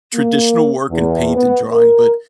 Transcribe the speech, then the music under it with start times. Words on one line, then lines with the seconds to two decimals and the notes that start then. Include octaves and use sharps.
traditional work and paint and drawing, but
0.15 A#3
0.91 E2
1.35 B3
1.72 A#4